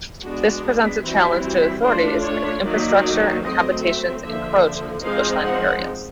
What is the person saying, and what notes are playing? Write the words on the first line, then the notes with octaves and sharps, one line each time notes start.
This presents a challenge to authorities as infrastructure and habitations encroach into bushland areas.
G#3 B3 D4 F#4
E3 G3 C4 E4 F#4
F#4
A3 D4 F4 C5
C#5
D#3 F#3 A#3 D#4 D5
F#3 A3 C4 D#5
E5
D3 F3 A#3 E5
F3 G#3 C4 D#4 F5
F#5